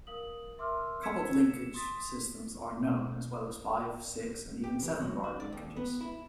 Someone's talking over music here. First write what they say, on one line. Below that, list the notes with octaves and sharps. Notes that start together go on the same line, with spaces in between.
Coupled linkage systems are known, as well as five-, six-, and even seven-bar linkages.
A#4 F5 D#6 F#7
A#4 E5 C6 D6 E6 F6
E6 G#6 B6 C#7 E7
C#7 E7
C6 D#6 A6 B6
B2
G4
E3
F#3
F#4
D5
D#2
B3
E4